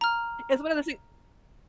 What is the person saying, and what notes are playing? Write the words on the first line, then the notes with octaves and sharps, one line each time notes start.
It's one of those thi
A#5 F6